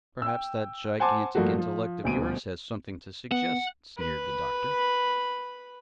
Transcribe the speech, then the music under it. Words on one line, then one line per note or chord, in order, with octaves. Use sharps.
"Perhaps that gigantic intellect of yours has something to suggest," sneered the Doctor.
G5 E6
C5 F#5 G#5 A5 C6 D6
G2 F3 A3 A#3 F#4
F3
D#1 D2 B2 D7 D#7
B3 F#5
B4 B5